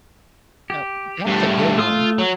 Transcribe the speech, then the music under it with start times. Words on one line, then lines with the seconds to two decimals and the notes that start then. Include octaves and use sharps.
No that's a good one.
0.70 G4
1.26 G2 A3
1.78 A3 F4 D#6
2.18 F#3